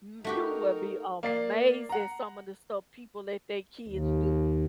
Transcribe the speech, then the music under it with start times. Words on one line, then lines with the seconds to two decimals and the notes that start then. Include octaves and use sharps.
m you will be amazed at some of the stuff people let they kids do
0.24 A3 D#4 F#4 G4 A#4
1.23 A#3 D5 C7
1.89 F#5 A#5
3.88 D#2